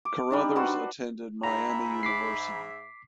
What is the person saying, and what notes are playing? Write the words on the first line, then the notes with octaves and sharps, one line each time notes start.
Carruthers attended Miami University.
D6
G3 D4 D#4
D4 F#4 B4 C5
G#2 E5 A#5 B5
D6 B6 C7